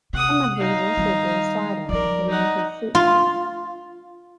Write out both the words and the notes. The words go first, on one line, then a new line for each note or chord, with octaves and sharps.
Some of these also brew cider, a fermented fruit drink.
C3 F#5 D#6
D#4 F5
D#3 G3
F3 G3 A#4 D5
D#4 F#5
F4